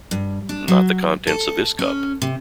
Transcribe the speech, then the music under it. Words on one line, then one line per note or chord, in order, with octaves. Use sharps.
Not the contents of this cup.
G2
D4
F#3
A4
C#4
C3